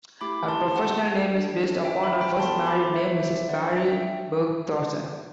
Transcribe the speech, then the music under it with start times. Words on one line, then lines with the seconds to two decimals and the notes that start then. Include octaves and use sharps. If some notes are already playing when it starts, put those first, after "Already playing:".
Her professional name is based upon her first married name, Mrs Barry Bergthorson.
0.21 A3 E4 G4 B5 D6
0.48 A5 C6
0.76 F#5 A5
1.31 D4 A4
1.85 E5 G5
2.03 G5 B5
2.21 G5 B5
2.39 B3 F#4 A4 A5 C6
2.66 B5 D6
2.94 C5 E5
3.21 C5 E5
3.49 D4 A4 D5 F#5
3.76 E5 G5